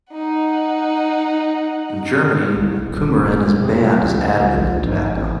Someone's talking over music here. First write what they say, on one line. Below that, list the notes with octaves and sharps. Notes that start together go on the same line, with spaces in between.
In Germany, coumarin is banned as additive in tobacco.
D#4 F#5
C2
D#1
F2
C3
G3
C#2
A#1
G#2
A1